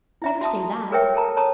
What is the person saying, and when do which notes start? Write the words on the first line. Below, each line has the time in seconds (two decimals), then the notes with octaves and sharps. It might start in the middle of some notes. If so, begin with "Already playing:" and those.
Never say that!
0.22 E4 E5 A#5
0.41 F#4 E5 A5 D#6
0.60 F#4
0.92 G#4 A#4 B4 C#5 E5 G5
1.15 A4 A#4 A5 A#5
1.37 C#5 A5 A#5 D#6